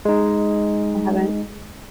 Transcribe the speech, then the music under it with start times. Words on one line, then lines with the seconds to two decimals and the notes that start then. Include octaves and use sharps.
I haven't.
0.05 G#3 D#4